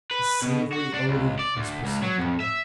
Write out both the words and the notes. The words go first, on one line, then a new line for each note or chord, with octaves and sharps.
The savoury odour was perceptible.
B4
B2
F#4
D4
C#2
D5
D2
C#2
F#3
F2
E5